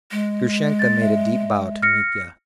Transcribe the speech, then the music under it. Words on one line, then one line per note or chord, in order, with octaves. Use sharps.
Grushenka made a deep bow to Mitya.
G#3
A6
E5
F6 A#6 C#7